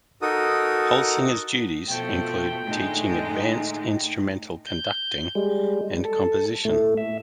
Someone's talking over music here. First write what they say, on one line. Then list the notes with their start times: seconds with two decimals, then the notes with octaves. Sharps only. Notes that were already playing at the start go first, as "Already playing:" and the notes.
Holsinger's duties include teaching advanced instrumental conducting and composition.
0.22 D#4 F#4 A4 A#4 D#6
1.88 B2 F3 A3 G5
2.65 A2 D3 G#3 A3 D#4
4.67 G6
5.35 G3 G#3
6.05 A4
6.65 A2 A3
6.97 E5